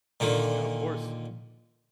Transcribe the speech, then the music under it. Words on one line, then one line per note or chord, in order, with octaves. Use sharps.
No, of course.
A#2 D3 D#3